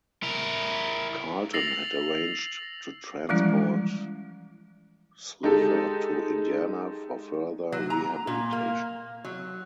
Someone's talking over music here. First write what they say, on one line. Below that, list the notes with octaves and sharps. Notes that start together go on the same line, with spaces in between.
Carlton had arranged to transport Slifer to Indiana for further rehabilitation.
E4 A#4
E6 A6 A#6 C7 F7 F#7
E3 F3 G3 G#3 C#4 E4
G#3 D#4 G4 A4
F#3
A#5
A#2
A#3
F#3